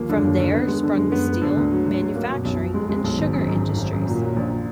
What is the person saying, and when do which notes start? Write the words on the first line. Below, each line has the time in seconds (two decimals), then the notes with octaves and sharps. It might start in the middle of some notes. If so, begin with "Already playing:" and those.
From there sprung the steel, manufacturing and sugar industries.
Already playing: D#2 F3 A#3
0.09 F#2 D3
0.24 D#2
0.39 D3
0.53 F#2 B3
0.68 G#3
0.83 D3
0.97 F#2 G#3
1.12 B3
1.27 B3
1.41 G#2 D3
1.57 D2
1.72 F#3
1.86 D2
2.01 F#3
2.16 A#3
2.30 F#2 B2
2.45 B1
2.59 B2
2.74 F2 G#3
2.89 G#3
3.04 B1
3.18 G#1 G#2
3.33 F#2
3.48 F#2
3.63 F#2
3.77 G#1
3.93 F#2
4.07 A#2 F#3
4.21 F#3
4.36 A#1